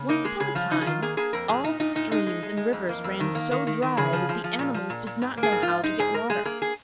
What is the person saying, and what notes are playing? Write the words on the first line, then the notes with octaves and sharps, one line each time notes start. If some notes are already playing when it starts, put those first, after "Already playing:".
Once upon a time all the streams and rivers ran so dry that the animals did not know how to get water.
Already playing: C#3
A#3 D#4
G#3 G#4
C#3 G#4
F3 F4
C#3 D#4
G#4
D#3 F4
A#3 G#4
A#3 G#4
F2 A#4
A#2 G#4
A#2 D#4
A#2 D#4
A#2 D#4
G#3 D#4
G#3
G#3
G#3
F2
A#3
F2
D#3
A#3
D#3
D#3
D#3
C#3 G#4
F3
F3
F3
A#2
F3
A#2
A#2
G#2
A#3
G#4
G#2
G#2 F4
G#3 D#4
G#2 G#4
G#3 A#4
G#3 G#4
A#3 G#4
G#4